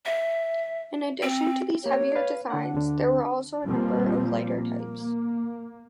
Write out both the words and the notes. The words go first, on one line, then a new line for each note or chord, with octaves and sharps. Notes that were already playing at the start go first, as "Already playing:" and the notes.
In addition to these heavier designs, there were also a number of lighter types.
E5
C4
A#3 G4 C#5
B4 F5
D3 D4 F#5
D2 D3
A#2 F3 G3 A#3 C4
A#3